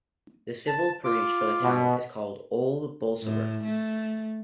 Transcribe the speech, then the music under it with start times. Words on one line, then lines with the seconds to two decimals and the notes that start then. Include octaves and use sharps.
The civil parish for the town is called Old Bolsover.
0.67 A5
1.04 F4 D6
1.61 B2
3.22 A2
3.64 A3